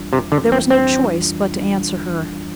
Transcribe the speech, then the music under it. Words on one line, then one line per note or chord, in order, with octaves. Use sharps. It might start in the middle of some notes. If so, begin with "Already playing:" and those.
There was no choice but to answer her.
Already playing: F2 E3 G3 D4 F4
F2 C3
D3
E3 G3 D4 F4
C4
F2 C4
E3 G3 D4 F4
F2
E3 G3 D4 F4